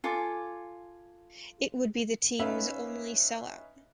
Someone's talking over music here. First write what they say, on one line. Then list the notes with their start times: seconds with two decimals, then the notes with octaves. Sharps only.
It would be the team's only sellout.
0.04 F4 A4 G#5 D6
2.39 C#4 D#4 B4 E5 F5